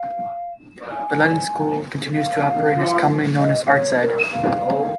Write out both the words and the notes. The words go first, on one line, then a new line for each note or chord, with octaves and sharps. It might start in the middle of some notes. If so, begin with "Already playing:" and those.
The London school continues to operate, and is commonly known as ArtsEd.
Already playing: F5
G#5
F5
D#5
C#5
A#4
F5